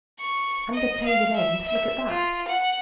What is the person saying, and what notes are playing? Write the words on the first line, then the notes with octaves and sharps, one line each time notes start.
"And obtained his end; look at that."
C#6
D#5
F5
E5
E5
F4
F#5